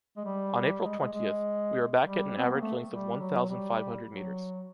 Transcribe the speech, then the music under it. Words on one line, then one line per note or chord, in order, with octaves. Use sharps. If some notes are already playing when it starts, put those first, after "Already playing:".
On April twentieth, we were back at an average length of one thousand five hundred meters.
G#3
G3
G#3
G#3
G#3
G3
C4
B3
A#3
A3
G3
F#3
F#3
G3
F#3